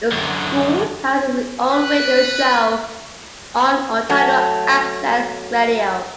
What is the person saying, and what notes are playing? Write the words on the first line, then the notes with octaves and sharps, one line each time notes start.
The school has its own radio show on Otago Access Radio.
F#2 D3
B4 F#6
F#3 A3